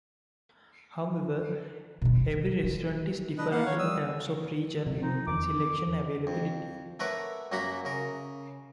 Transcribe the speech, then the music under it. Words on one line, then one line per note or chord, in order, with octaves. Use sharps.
However, every restaurant is different in terms of region and selection availability.
B2 D3
G3
D3
D4 B4 D#5
A#3 F5 F#5
C#5
G3 D#6 E6
C3
F3 C4 D#4
E2 D6
F2
A3 A#4 B4 C#5 F#5 D6
F#2 F#3 A#3 F#4 A#5 B5
C#3 A#4